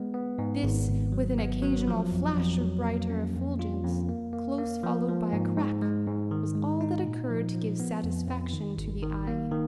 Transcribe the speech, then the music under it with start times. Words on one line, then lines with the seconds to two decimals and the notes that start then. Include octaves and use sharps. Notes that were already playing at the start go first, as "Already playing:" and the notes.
This, with an occasional flash of brighter effulgence, close followed by a crack, was all that occurred to give satisfaction to the eye.
Already playing: G#3 B3
0.14 B3
0.39 G#2
0.63 G#1
0.89 G#1
1.12 F#3
1.38 B3
1.62 F#3
1.87 F3
2.12 F2
2.37 F2
2.61 F#3
2.85 A#3
3.10 C#4
3.35 F2
3.59 F4
3.84 F2
4.09 A#3
4.33 A#3
4.58 A#3
4.83 F3
5.08 F3
5.33 G#2
5.57 G#2
5.82 G#3
6.07 G#2
6.31 D#3
6.55 G#3
6.81 D#4
7.05 A#2
7.30 F3
7.55 F3
7.80 B3
8.04 F2
8.28 F2
8.53 D#3
8.78 G#1
9.02 D#3
9.27 A#3
9.52 D#3